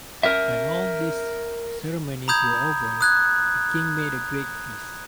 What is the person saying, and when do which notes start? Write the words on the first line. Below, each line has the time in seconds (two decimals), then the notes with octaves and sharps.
When all these ceremonies were over, the king made a great feast.
0.23 A#4 E5
2.28 A#5 B5 D#6 G6 G#6
3.01 D#6 F#6 G#6